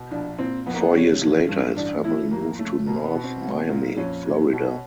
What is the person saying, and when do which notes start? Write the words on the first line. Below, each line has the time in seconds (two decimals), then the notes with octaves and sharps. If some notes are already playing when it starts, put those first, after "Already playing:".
Four years later his family moved to North Miami, Florida.
Already playing: B2
0.11 A#1 D4
0.39 A#2 C4
0.66 F2 B3
0.74 A#3
0.81 B3
0.93 C3 C#4
1.21 A1
1.49 G2
1.76 A1 D4
2.04 A2 E4
2.31 F2 A#3
2.59 C#3 A3
2.86 B2 A#3
3.05 B3
3.15 B2
3.24 C4
3.41 B1
3.69 A#2
3.97 F2 C#4
4.25 C3
4.53 B2